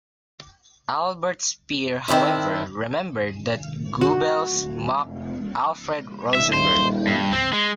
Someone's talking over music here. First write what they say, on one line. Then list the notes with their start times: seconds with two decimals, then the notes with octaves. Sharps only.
Albert Speer however remembered that Goebbels mocked Alfred Rosenberg.
2.08 D#3 C4 D4 E4
4.01 F#4
6.35 E5
6.53 C5
7.07 G2
7.33 C4
7.53 G#3